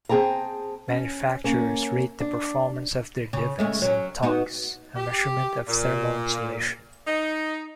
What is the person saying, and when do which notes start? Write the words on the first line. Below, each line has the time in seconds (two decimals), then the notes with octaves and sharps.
Manufacturers rate the performance of their duvets in togs, a measurement of thermal insulation.
0.09 C4 G#4 G5 A5 A#5
0.88 C#4
1.44 A#3 C#4
2.20 D4
3.33 C#3
3.59 G#3 A3 C#4
3.82 F#3 C#4
4.23 B3 D#4 F#4
4.96 G4
5.68 A#2
7.06 D#4